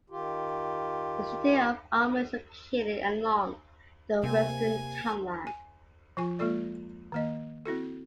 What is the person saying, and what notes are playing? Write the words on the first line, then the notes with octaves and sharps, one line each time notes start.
The city of Alma is located along the western town line.
D#3 F4 G4
C3 A#3 G#5
G#5
F3 F4 G#5
G#3 A#3 F4 A4 D5
D#3 A#3 D#5
C4 E4 F#4 A4